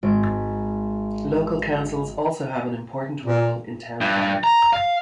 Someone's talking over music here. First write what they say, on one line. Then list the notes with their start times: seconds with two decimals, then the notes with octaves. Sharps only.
Local councils also have an important role in town planning.
0.03 G#1 D7
3.25 A#2
4.01 G2
4.44 A#5
4.73 F5